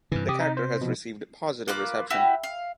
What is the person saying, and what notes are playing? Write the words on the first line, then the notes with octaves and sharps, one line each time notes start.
The character has received positive reception.
G2 C3 E3
C3 G4 D#6
D#4
C5
B2 F3
A#3 F4 B4 D6
E4 F#4 G4
F5